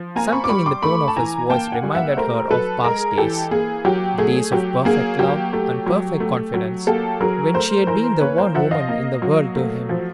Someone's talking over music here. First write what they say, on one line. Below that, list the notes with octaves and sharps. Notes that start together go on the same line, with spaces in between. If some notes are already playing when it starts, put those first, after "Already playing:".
Something in the tone of his voice reminded her of past days--the days of perfect love and perfect confidence, when she had been the one woman in the world to him.
Already playing: F3
A#3 G#5 A#5
B5 C#6
D6
G3 B5 C#6
C6 D6
A3 B5 C#6
A5
E3 G#5 A#5
A#3 G5 A5
F#5 G#5
G3
E5 F#5
A3 A#4 C5
F#3 A4 B4
G#3 G#4 A#4
E3 G4 A4
A#3 G#4
F#3 G4
A3 G#4
F#3 G4
A#3 G#4
F#3 G4
A3
F#3
A3
F#3
A#3 G4 A4
F#3 G#4 A#4
A3 A#4 C5
E3 A#4 C5
A#3 B4 C#5
A#4 C5
F3 E5 F#5
D#5 F5
A#3
F#3
A3
F3